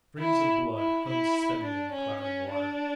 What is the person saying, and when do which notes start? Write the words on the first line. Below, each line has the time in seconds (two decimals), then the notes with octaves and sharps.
Strings of blood hung suspended in the clouding water.
0.19 E4
0.77 E4
1.06 E4
1.64 D4
1.92 C#4
2.21 C#4
2.50 D4